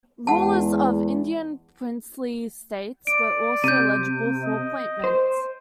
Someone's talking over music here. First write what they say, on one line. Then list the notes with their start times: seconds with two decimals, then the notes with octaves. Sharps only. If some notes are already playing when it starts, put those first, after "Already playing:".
Rulers of Indian Princely States were also eligible for appointment.
0.27 E2 G#3 F#5 A5
3.07 D5 D7
3.64 C3 G6 D#7
4.43 D#5
5.04 C5